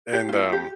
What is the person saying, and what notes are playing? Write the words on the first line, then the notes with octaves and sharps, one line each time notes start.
and, um,
G4
F4
E4
F4
G4